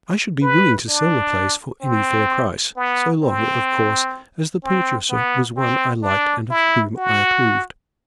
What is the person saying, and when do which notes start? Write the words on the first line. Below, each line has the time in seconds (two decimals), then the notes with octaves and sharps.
I should be willing to sell the place for any fair price--so long, of course, as the purchaser was one I liked and of whom I approved.
0.42 B4
0.89 D4
1.82 C4
2.76 B3
3.23 C4
4.64 C4
5.09 B3
5.57 C4
6.03 D4
6.51 E4
6.97 F#4